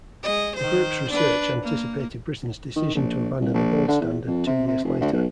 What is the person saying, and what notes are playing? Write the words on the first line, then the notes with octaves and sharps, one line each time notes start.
The group's research anticipated Britain's decision to abandon the gold standard two years later.
G#3 D#5
D#3 C5
D4 B4
A#3
D#3
A#1
C2
A#1
D3
E2
F2
C3
C3
F1
D2
B1